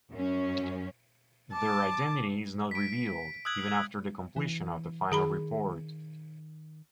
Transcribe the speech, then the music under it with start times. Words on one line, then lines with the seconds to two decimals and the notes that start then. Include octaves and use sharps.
Their identity is not revealed, even after the completion of the final report.
0.11 F#2 C#4
1.53 A5 D6
2.71 B6 D7
3.45 D#6 E6 F#6 G#6 F#7
4.36 E3
5.12 D#3 G#4 A#5 B5